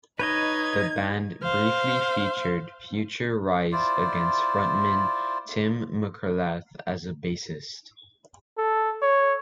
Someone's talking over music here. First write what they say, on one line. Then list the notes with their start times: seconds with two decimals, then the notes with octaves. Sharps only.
The band briefly featured future Rise Against frontman Tim McIlrath as a bassist.
0.19 D#4 B4 C#5 D#5 G#6
1.43 C5 F5
3.72 E4 F4 C5 D5
8.58 A4
9.02 C#5